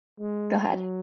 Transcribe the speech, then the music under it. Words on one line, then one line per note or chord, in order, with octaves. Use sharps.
Go ahead.
G#3
F#3